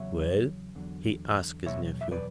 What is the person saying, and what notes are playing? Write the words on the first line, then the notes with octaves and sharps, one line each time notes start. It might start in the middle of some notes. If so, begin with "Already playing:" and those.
"Well?" he asked his nephew.
Already playing: E2 C#3 F#3 C#5 E5
E2 D3 F#3
E2 B2 F#3 C#5 E5
E5
B4 D5